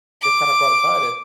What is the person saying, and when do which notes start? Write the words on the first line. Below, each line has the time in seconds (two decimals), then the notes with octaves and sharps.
it's kinda brought aside is
0.22 D6